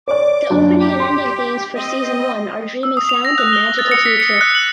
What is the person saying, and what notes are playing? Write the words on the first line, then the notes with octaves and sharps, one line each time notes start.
The opening and ending themes for season one are "Dreaming Sound" and "Magical Future".
C#5 D5 D6
F#2 A#2 D4
G4
C6
C4 D#5
E6
D#6
F7
A#6
F#6
G7
A6
C#7
B6
C#7
F#6
F#7